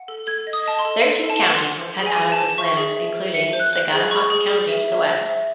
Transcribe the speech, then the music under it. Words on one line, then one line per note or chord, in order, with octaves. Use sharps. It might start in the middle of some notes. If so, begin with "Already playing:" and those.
Thirteen counties were cut out of this land including Sagadahoc County to the west.
Already playing: F#5
A4
A4 G#6
D#5
D#6
D#5 A5
C6
A4
A4
A4
A5
F#5
C6
F#5
C5
G#4
G#5
G#4
A5
C5
E5 C#6
G#4
E5
C5
E5 C#7
C5
F#6
C5
G#4
G#4 C#6
G#4
G#4
E5
E5
C5
E5